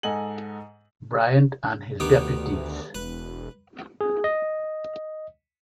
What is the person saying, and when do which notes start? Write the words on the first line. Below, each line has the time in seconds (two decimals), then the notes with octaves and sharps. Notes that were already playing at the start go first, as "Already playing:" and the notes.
Briant and his deputies.
0.03 G#2 A4 D#5 F#5 G#5 F#7
2.00 D2 D#3 B3 G4
2.95 E1 B4
4.01 G#4
4.24 D#5